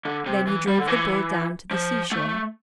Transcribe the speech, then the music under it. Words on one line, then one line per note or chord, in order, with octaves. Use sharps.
Then he drove the bull down to the seashore.
D3
C3
E3
G3
D3
E3
F3
A3